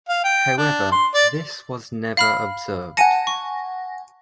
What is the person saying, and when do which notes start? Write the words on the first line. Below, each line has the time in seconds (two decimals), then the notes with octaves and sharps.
However, this was never observed.
0.09 F5
0.24 G5
0.57 D4
0.92 C6
1.15 D5
2.17 F5 B5 F6
2.97 F#5 G#5 A5 A#6 C#7 D#7
3.27 C#6